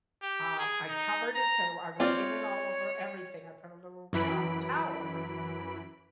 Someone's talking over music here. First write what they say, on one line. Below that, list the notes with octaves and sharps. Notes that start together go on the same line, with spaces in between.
Um, I covered it so I I wouldn't get it all over everything, I put a little, uh, towel over it.
G4
G#4
D#4
A#5
C4 F4 C#5 D5
F#2 E3 B5 D7